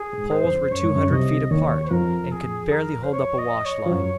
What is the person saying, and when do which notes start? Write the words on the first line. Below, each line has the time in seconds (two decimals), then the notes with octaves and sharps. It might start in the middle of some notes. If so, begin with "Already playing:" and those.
The poles were two hundred feet apart and could barely hold up a wash-line.
Already playing: G#4
0.18 G#2
0.31 C5
0.44 F2
0.71 F#2 C#5
0.83 G#2
0.95 F#2
1.11 C2 C3 D#5
1.51 D#2 D#3 C#5
1.91 F2 F3 A#4
2.31 G#4
2.72 A#4
3.03 C5
3.11 C#5
3.38 D#5
3.65 C#5
3.86 F3
3.91 F#2 F#3